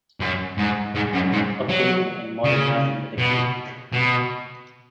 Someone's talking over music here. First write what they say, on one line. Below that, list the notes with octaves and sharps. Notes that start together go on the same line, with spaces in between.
Updating and modernizing the technique.
F#2
G#2
G#2
F#2
G#2
F#3
C#3
B2
B2